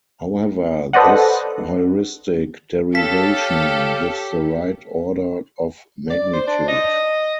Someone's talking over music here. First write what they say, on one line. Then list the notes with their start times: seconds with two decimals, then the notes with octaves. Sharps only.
However, this heuristic derivation gives the right order of magnitude.
0.93 A4 B4 C5 D5 D#5 F#5
2.95 G4 A4 C#5 F5 B6
6.10 D5
6.33 C5
6.47 D4
6.68 D#5